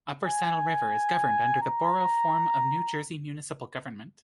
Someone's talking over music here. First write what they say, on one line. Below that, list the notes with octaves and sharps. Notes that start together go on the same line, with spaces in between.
Upper Saddle River is governed under the Borough form of New Jersey municipal government.
G#5
A#5